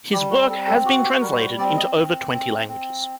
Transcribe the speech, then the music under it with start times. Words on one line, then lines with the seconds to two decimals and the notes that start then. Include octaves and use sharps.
His work has been translated into over twenty languages.
0.13 G3 G4
0.31 F#4
0.49 C4 A4
0.67 A4
0.85 F#4 G4
1.04 G4
1.22 G3 A#4
1.41 C5
1.58 C4 D5
1.77 D#5
1.95 C4
2.32 C4
2.68 C4